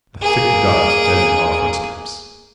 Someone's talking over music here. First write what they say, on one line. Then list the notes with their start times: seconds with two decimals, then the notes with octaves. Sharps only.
The thick dust deadened our footsteps.
0.22 A#3 G#4